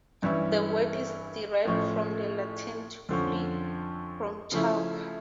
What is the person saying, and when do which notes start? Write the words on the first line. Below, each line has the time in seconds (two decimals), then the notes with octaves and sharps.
The word is derived from the Latin 'to flee from chalk'.
0.22 G2 E3 G3 C#4 E4
1.65 A2 F3 A3 C#4
3.09 F2 D3 F3 C#4
4.52 C#3 F3 A3 C#4 E4